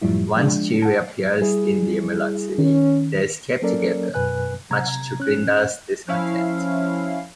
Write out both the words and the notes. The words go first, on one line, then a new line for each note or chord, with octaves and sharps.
Once she reappears in the Emerald City, they escape together, much to Glinda's discontent.
F#2 A2 F3 G3 E4
F3 G#3 D4
F#5 A5
G3 E4 G#4
D#3 C#4
F#3 A#3 C#4 A4 A#4 D5
F#2 B2 B4 G#5 F#6
C3 A#5 G#6
C#4 F#6
F3 C#4 E4 F5